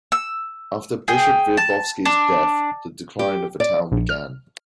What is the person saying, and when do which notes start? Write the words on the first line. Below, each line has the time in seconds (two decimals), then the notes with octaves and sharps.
After Bishop Wierzbowski's death the decline of the town began.
0.12 E6
1.08 G#4 G5
1.57 A5
2.05 D4
3.19 G4
3.60 D5
3.92 A#1
4.09 F6